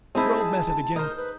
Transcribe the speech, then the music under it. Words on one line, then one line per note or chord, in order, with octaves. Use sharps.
Your old method again.
G#3 C4 D#4 E4 A5
G#4
D#4 A#4 C5
B4